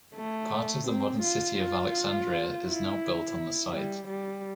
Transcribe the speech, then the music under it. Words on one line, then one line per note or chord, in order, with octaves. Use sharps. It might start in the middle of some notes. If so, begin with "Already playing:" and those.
Part of the modern city of Alexandria is now built on the site.
A3
C4
F4
F4
E4
G3
G3